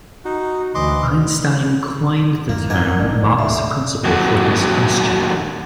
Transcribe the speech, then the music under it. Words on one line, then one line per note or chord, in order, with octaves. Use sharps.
Einstein coined the term Mach's principle for this question.
D#4 F#4
D2 E3 D#5 C6 D6
F#2 A2 D#3 A#3
A#3 A#4 D5 F#5 G#5
A#1 A#2 D#3 D4 D#4 A#4
E1 D#3 A3
D2 A2 C3 D5 F5
D#2 F#3